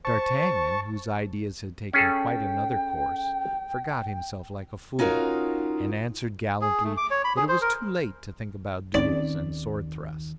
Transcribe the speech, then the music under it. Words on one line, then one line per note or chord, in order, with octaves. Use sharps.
But d'Artagnan, whose ideas had taken quite another course, forgot himself like a fool, and answered gallantly that it was too late to think about duels and sword thrusts.
C5 A5 C#6
C#4 G#4 A4 G5
C#4 D#4 F4 F#4 A#4
G#4
A3
D6
C#5
B5
G#4
C5
A#4
D#2 D#3 C4 C#4 D#4 D5